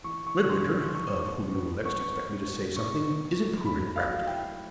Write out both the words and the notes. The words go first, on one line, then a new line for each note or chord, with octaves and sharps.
Midwinter, of whom you will next expect me to say something, is improving rapidly.
E3 C#6
C#6
E3
C6
G#3
C#6
D#4 C#6
B3
B3
B3 C#6
B3
B3
D#4 C#6
B3
G#3
F#3 B5
F#3 F5
E4 G5